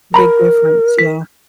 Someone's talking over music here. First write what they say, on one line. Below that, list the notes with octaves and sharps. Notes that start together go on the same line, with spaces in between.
Big difference, yeah.
A#4 A#5 B5
B6